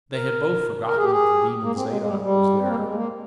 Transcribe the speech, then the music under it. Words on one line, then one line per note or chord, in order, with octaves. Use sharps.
They had both forgotten that the Demon Zadok was there.
A#4
A#4
G#4
G4
G#4
A#3
C4
G#3
G#3
G3
G3
C4
A#3
G#3
G#3
A#3